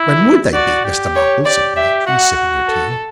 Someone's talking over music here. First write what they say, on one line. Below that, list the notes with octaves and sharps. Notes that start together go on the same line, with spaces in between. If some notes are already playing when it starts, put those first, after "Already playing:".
When would they be, Mr. Bumble?' said the matron, sipping her tea.
Already playing: E4
F#4 D5
G4
C#5
G4 D5
G4 E5
F#4 F#5
A4